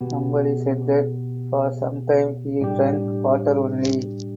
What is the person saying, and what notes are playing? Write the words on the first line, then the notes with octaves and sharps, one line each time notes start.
Somebody said that for sometime he drunk water only.
B2 B3 G4
A2 G3 D4 G4